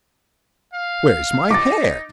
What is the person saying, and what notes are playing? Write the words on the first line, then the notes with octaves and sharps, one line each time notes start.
Where's my hair?
F5
D#4 D6 A6